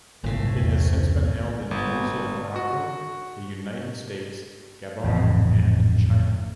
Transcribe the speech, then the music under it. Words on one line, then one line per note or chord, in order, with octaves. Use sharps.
It has since been held in Tunisia, Morocco, the United States, Gabon and China.
G1 C2 A#2 C#3 A3
E2
G1
F#4
A1 F2 G#2 C#3